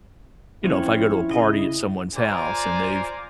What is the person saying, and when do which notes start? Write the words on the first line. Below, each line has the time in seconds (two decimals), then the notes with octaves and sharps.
you know, if I go to a party at someone's house and they've,
0.64 F3 C4 C#4 E4 C#5
1.31 C#3 D#5
2.16 F4 C5 D5 G#5 A#5 D6